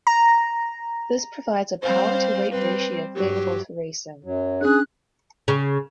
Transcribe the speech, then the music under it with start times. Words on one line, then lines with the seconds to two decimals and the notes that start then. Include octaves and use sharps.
This provides a power-to-weight ratio favorable to racing.
0.07 A#5
1.82 G3 C4 C5 F5
2.51 G3 C4 B4
3.15 G2 F#3 G4
4.24 F#2 F#3
4.61 C#4 D4 G#4 F#6
5.48 C#3